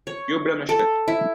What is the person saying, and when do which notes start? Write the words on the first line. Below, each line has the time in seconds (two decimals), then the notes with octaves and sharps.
You blemished it.
0.07 C#5
0.69 A4
1.08 E4